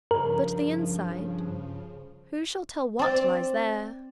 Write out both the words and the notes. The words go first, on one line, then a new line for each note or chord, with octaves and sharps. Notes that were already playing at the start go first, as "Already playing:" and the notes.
But the inside, who shall tell what lies there?
G2 C#3 F3 A#4
C4 D5